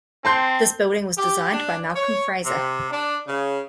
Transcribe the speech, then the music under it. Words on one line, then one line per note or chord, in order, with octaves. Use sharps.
This building was designed by Malcolm Fraser.
C4 A5 C6 G6
G4
D4
C#5
C3
D4
C#3